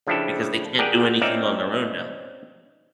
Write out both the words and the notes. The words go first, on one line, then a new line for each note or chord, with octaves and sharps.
because they can't do anything on their own now.
C#3 F3 D4 E4 G4 A4
G4 G#4 A#4 D5 F#5 G5
C4 C#4 D#4 D5 E5 F5